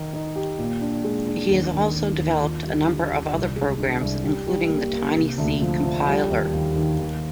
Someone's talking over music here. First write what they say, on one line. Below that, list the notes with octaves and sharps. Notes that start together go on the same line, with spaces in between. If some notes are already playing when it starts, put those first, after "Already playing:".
He has also developed a number of other programs, including the Tiny C Compiler.
Already playing: D#3 D#4
D#4
G4
A#2
D4
G#3
D4
D#2
D#3
D#3
D#2
F4
G3
D3
F4
C2
G#3
D4
C2
G3
G3
A#3
A#3
C3
D2
F3
F3
G3
D#2
D#2
D#3
D#2